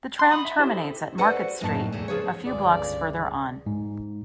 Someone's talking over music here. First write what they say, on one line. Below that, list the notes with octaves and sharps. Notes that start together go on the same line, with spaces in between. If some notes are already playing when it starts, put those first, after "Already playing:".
The tram terminates at Market Street, a few blocks further on.
F#5 C6
D#4 B5 D#6
E5
E4 G4 C5
A4
F#4 A4 B4 C5 D5 F#5
F#2 A2 A#3 D#4 G5 A5
E2 C#3 A3
F3 G#4 B4 C#5
G1 C#2 F4 G#4 D5
G#2